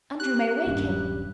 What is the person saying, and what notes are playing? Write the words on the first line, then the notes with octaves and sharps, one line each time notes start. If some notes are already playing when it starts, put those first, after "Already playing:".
"Andrew may wake him."
G4 F#6
D#1 G2 C#4 D4